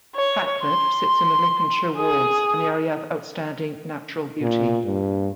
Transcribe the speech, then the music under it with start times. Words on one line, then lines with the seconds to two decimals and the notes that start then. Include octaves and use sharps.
Hatcliffe sits in the Lincolnshire Wolds, an Area of Outstanding Natural Beauty.
0.16 C#5
0.63 C6
1.97 G#4 D#6
4.42 A#2
4.85 G2